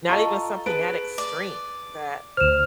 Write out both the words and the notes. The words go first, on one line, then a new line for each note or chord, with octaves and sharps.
not even something that extreme that
F4 A4 D#5 A5 A#5 C#6
G#4 B4 A5 D7
D5
D2 C5 F6 E7